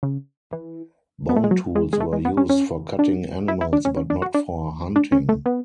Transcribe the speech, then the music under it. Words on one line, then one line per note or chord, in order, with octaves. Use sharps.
Bone tools were used for cutting animals but not for hunting.
C#3
E3
B3
A3
G#3
F#3
G#3
G#3
A3
G#3
B3
C#4
C#4
D4
E4
E4
D4
C#4
C#4
D4
F#4
D4
D4
C#4
A3
B3